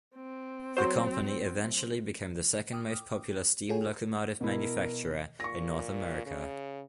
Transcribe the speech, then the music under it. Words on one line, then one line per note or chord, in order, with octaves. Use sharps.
The company eventually became the second most popular steam locomotive manufacturer in North America.
C4
F#3 C5
G5 D6 D#6 F6
F4 G#4 A4 C#5 G5 G#5
B2 E4 A#4
A#2 C#6 A#6
C#3